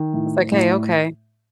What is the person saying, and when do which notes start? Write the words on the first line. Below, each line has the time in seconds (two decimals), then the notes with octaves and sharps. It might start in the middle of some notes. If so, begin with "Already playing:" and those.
It's like, "Hey, okay."
Already playing: D#3
0.14 A2
0.52 A2